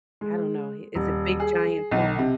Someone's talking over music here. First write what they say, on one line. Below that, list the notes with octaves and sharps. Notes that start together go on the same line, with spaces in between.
I don't know h it's a big giant phone.
G#3
D#1
G#4
B1
C3